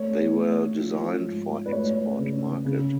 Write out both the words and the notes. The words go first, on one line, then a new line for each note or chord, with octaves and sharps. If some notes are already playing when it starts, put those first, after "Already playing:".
They were designed for export market.
Already playing: A3 C#5
A3
F3
G#2
B4
A3 C#5
C#3
C#3